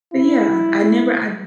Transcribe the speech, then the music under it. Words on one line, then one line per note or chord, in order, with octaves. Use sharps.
But, yeah, I never I
E4